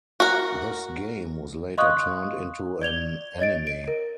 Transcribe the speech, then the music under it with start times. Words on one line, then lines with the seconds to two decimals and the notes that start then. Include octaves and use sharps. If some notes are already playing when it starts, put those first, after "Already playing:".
This game was later turned into an anime.
0.20 F#4 A#4
1.78 D#5 F5 C6 C#6 D#6 F#6
2.81 D5 G#6 F7 G7
3.39 C#5 D#5 A6 D7
3.67 D7
3.88 A#4